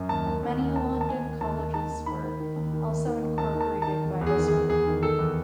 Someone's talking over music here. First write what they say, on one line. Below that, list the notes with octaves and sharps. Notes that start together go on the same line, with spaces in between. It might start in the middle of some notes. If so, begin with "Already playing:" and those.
Many London colleges were also incorporated by this route.
Already playing: F#2
D#2 A5
D#2
D#2
D#2
D#2 A5
D#2
A5
D#2 G#5
D#2
D#2 A5
D#2
D#3 A5
D#2
D#3 B5
D#3
D#3
D#2
D#3
D#2
D#3
D#2
D#2 A5
D#3
A5
D#3
A5
D#3
E2
E2
G#4
D#3
G#4
E2
E2 G#4
D#3
D#3 A4
E2